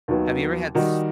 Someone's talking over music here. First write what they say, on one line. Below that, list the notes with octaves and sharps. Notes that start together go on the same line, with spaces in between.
Have you ever had s
D#2 D#3 F#3 B3
D#3 G3 D#4 F#4